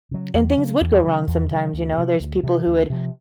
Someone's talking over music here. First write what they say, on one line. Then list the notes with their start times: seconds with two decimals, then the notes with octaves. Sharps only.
and things would go wrong sometimes, you know, there's people who would
0.11 C#3 F#3
0.34 E2
0.57 C#3 F#3
0.81 E2
1.04 C#3 F#3
1.27 E2
1.51 C#3 F#3
1.74 D2
1.98 C3 F3
2.20 D2
2.43 C3 F3
2.67 D2
2.90 C3 F3